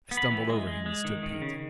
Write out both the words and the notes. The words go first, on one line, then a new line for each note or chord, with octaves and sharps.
I stumbled over him and stood panting.
B3
B5
E3
G#3
G#3
G#3
D#3
D#3
C#3